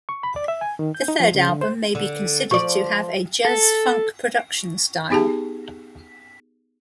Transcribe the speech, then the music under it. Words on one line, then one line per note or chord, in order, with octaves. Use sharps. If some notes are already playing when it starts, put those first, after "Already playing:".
The third album may be considered to have a jazz-funk production style.
C#6
B5
D5
E5
G#5
D#3
G6
D#4
F3
C#3
D3
C5
D3
F3 D5 C#6
A4
B3 D#4 G4 G#4 A5